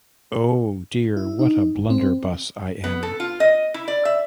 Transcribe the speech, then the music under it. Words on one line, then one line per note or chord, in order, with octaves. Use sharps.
Oh, dear, what a blunderbuss I am!
E4
D#4
G1
C4
B3
A4
F4
D#5
E4
D5
E5